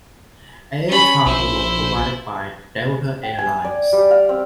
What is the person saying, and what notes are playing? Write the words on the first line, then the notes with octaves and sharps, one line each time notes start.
Air travel was provided by Delta Air Lines.
C#4 B5
A#1 E4 C5
G5
G#5
D5
G3
F5
C4